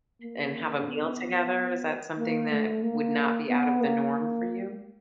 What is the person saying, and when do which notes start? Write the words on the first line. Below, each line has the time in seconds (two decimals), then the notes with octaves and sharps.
and have a meal together, is that something that would not be out of the norm for you?
0.22 A#3
0.87 B3
2.17 A#3
2.50 A3
2.83 A#3
3.48 B3
3.81 A#3